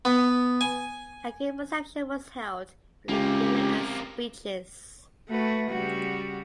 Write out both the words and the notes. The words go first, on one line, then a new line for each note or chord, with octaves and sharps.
A great reception was held with a dinner and speeches.
B3
G#5
C#2 C3 A#3 G4
A3 F#4 B4
C#3 G3 F#4